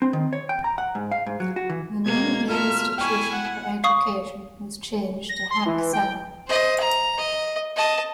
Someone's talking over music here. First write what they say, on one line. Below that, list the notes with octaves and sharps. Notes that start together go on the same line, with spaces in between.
The name of the insititution for Education was changed to Hak-San.
C4
D#3
C#5
G5
A#5
F#5
G#2
F5
G#2
F#3
F#4
E3
B2 G#3 A#3 G#6
F4 A4 A#4 E5 F6
E4 G5 G#5 C#6
F#5
F5 C#6 D#6
A#6
C6
E3
G5
C5 D#5
A#5
D#5
D#5 A5